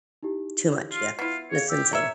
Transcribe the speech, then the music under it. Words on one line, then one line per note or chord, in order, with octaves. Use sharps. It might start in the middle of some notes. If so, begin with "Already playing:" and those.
Too much, yeah, that's insane.
D#4 E4 G4
F4
B3 E4 F4
G#4 C#5 F5
G4 E6
A#4 C#5 E5